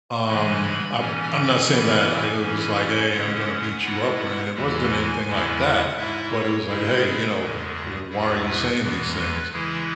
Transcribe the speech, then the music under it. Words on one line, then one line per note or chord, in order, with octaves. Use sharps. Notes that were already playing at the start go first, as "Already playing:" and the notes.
Um, I'm I'm not saying that I, uh, was like, "Hey, I'm gonna beat you up," or anything, it wasn't anything like that, but it was like, "Hey, you know, w why are you saying these things?"
C#3 E3 G#3 G#5
B5
G#2 E3 C#4 G#5
F#2 E3 B3 E4 G#5
G#5
F#2 E3 C#4 E4
G#5
F#2 C#3 G#3 C#4 F#5
G#2 G#3 B3 E4
F#5
E2 E3 G#3 E4
G#5
E2 C#3 G#3 B3 E4
F#5
G#2 G#3 E4 E5
C#5
C#3 G#3 E4 G#4
G#4
E2 C#3 G#3
E2 B2 B3 E4 G#4
B4
E2 E3 G#3 G#4
B4
C#3 E3 G#3 E4 G#4